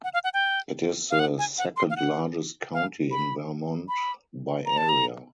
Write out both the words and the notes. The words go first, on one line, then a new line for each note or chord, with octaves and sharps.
It is the second-largest county in Vermont by area.
F#5
F5
F#5
G5
F5
F#5
G#5
F#5
C6
F5
F#5
F5
B5
B5
A#5
A5
A#5